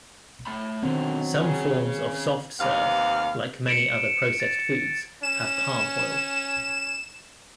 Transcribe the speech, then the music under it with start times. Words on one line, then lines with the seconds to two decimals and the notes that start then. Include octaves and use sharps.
Some forms of soft serve, like many other processed foods, have palm oil.
0.47 A3 B5
0.83 B2 D3 D#3 F#3 C4
1.42 C#4 G#4
2.59 D#2 C3 B3 F5
3.67 C#7 D7 E7
4.40 A6
5.23 C#4 E7